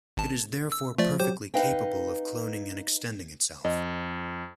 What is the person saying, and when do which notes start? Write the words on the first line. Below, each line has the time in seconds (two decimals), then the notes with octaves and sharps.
It is therefore perfectly capable of cloning and extending itself.
0.17 G#1 A5
0.72 E6
0.98 F3 A3 D5
1.20 F#3 G4 C5
1.54 D#4 B4 D#5 F5 G5
3.65 F2 D#5